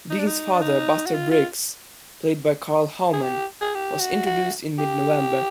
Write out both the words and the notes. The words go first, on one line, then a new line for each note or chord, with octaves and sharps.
Dean's father Buster Briggs, played by Karl Howman, was introduced in mid November.
D#4
D4
D#4
D4
D#4
F#4
F4
F4
G#4
G4
G#4
G4
F#4
F#4
G4